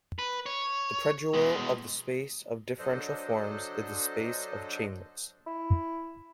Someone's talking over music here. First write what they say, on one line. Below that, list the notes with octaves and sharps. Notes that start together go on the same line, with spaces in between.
The predual of the space of differential forms is the space of chainlets.
B4
C#5
B2 G#3
F#3 D4 A4 C5 D#5
E4